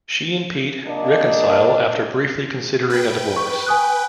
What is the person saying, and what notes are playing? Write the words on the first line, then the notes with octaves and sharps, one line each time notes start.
She and Pete reconcile after briefly considering a divorce.
A#2 A#3 D4 D#5
B4 G5
C#6
G#5 D#6 F#6